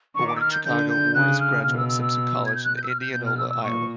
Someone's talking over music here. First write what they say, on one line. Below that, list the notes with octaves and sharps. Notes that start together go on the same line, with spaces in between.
Born in Chicago, Orr is a graduate of Simpson College in Indianola, Iowa.
D#3 C#6
D6
E6
F6
G6
D3 G6
G6
C#3 F#6
F6
B2 F6
E6
E6
E6
G#6
G6
F#6
G6
E6
F6
G6
B2 G6
F6
E6
E6
A#2 C#6